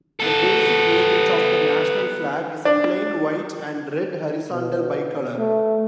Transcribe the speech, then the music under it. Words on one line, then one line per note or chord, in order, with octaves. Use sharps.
The basic variant of the national flag is a plain white-and-red horizontal bicolor.
B3 A4
D4
B2
A3